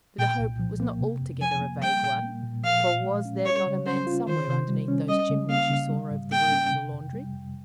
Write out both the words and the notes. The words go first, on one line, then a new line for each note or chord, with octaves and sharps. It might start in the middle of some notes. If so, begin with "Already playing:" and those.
But the hope was not altogether a vague one; for was there not a man somewhere underneath those chimneys she saw over the roof of the laundry?
A#2 G5
C2
F3
A#3
C3
F2
F3 G#5
A#3
G3 G5
A#2
A#3
A#2
F3 F5
A#2
G#3
C#4
G3 C#5
C#3
C#4 C5
F4
D#3 C5
C3
G3
C#4
G3 D#5
C#3
A#3 F5
C#3
G3
G#2
A#3 G5
C#4
C3
F2
G3
F2